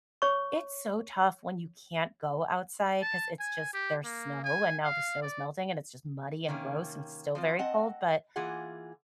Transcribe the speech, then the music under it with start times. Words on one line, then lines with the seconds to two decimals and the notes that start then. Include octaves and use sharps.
it's so tough when you can't go outside 'cause it's just there's snow and now the snow is melting and it's just muddy and gross and still very cold. But
0.22 C#5 C#6
3.02 A5
3.39 G#5
3.73 G4
4.04 A#3
4.44 G#5
4.83 F5
5.22 D5
6.47 C3 D#3 A#3 C#4
7.35 F3 C4 F4
7.59 C4 D#5 F#5 A5
8.36 E3 A#3 F4 G#4 F#5